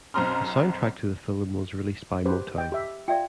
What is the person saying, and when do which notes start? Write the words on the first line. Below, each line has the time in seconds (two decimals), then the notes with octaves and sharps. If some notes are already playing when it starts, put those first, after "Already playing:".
A soundtrack to the film was released by Motown.
0.14 B1 F#2 C4 A#5 C6 F6
2.26 G4 B4 C5
2.56 D#5 G5
2.72 G4 E5
3.08 F4 D5 E5 G5